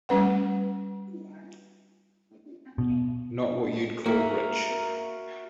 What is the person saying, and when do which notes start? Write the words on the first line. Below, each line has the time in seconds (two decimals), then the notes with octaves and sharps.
Not what you'd call rich.
0.09 G3 A3 C#4 B4 F#5
2.78 B2
4.06 A#3 F#4 A#4 E5